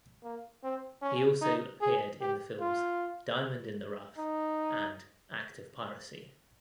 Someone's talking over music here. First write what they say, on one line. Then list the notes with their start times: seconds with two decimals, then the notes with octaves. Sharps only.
He also appeared in the films "Diamond in the Rough" and "Act of Piracy".
0.23 A#3
0.63 C4
1.02 C#4
1.41 D#4
1.81 G#4
2.21 G4
2.60 F4
4.18 D#4